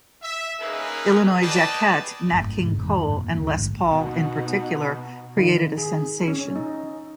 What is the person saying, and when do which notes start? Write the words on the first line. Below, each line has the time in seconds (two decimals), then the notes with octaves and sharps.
Illinois Jacquet, Nat King Cole and Les Paul, in particular, created a sensation.
0.22 E5
0.60 A#3 C#4 D#4 G#4 A#4 B4
1.41 G#4 B4 D5 D#5 G5 A5
2.32 G#1 F#2 A2
2.58 G#2 C3 G3 G#3
2.78 F2 A2 D#3 E3
3.02 G2 A#2
3.38 D2 D3
3.54 A#1 G#2
3.91 B2 D#4 F#4
5.37 D#3
5.78 G#4
6.28 C#4
6.55 D#4